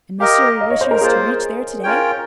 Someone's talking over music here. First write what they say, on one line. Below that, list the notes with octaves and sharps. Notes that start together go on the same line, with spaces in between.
"And Monsieur wishes to reach there to-day?"
G4 A#4 D#5 F5
D#5
C#5
C5
A#4
A#3 F4 G#4 C5
C#4 F4 A#4 C#5 G5